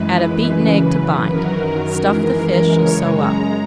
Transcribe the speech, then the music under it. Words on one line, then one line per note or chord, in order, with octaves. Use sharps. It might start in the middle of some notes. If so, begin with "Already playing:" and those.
Add a beaten egg to bind, stuff the fish, and sew up.
Already playing: F#2 E3 G#3 B4
F#2 C#3 E3
F#2 D#3 F#3 A#4
A#4
F#2 E3 G#3 A#4
F#2 C#3 G#3 C#5
A#5